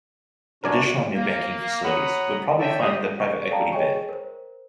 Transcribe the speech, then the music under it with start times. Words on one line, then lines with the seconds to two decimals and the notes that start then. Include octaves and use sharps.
Additional new banking facilities would probably fund the private-equity bid.
0.64 C3 D4 F#4 A#4 D5 G#5
1.14 A#3
1.84 F#4 C#5 F#5 A#5 B5 D#6
2.58 A4 C#5 D5 E5 G5
2.81 F#2 G4 C5 D#5 D#6
3.20 C#6
3.50 A4 D5 F5 G5 A5 A#5
3.72 G#4 C#5 D#5 G5 G#5 C#6
4.09 A#4 C5